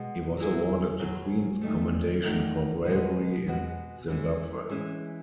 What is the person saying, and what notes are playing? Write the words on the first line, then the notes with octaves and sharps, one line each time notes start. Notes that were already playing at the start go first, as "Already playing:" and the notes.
He was awarded the Queen's Commendation for Bravery in Zimbabwe.
Already playing: B2 G#3 B3
F#3 B3 E4 G#4
F#3 B3 E4 G#4
E2 D#3 A3
E2 D#3 A3
B2 G#3 B3 F#4 B4
B2 G#3 B3 F#4 B4
E3 G#3 C#4 E4
E3 G#3 C#4 E4